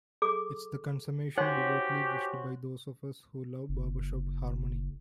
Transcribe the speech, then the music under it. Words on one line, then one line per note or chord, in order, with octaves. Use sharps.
It's the consummation devoutly wished by those of us who love Barbershop harmony.
G#4 A4 D6
D#4 F#4 G4 C5 C#5 F#5 G#5
F#1